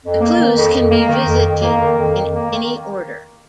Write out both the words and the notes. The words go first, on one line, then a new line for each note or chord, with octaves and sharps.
The clues can be visited in any order.
F2
A#3
D#3
F2
F2
A#3
D#3
F2
F2
A#3
D#3
F2
F2
A#3
D#3